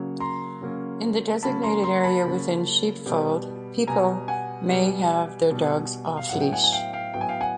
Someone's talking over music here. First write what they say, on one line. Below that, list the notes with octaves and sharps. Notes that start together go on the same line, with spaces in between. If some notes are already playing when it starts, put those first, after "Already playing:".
In the designated area within Sheepfold, people may have their dogs off leash.
Already playing: C#3 F#3 A#3 C#4
A#5 C6
C#3 F#3 A#3 C#4
C#3 F#3 A#3 C#4 A5 B5
A#5 C6
A#5 C6
A#5
A5 B5
C#3 F#3 A#3 C#4
B2 G3 B3
B2 G3 B3 G#5 A#5
F#5 G#5
B2 G3 B3
B2 G3 B3
F5
A2 F#3 B3 F#5
G5
F#5 G#5
G#5
F5 G5
F5 G5
A2 F#3 B3 G5
G#5
F5 G5
F#5 G#5